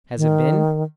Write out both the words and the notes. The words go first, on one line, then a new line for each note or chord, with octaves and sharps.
"Has it been?"
D#3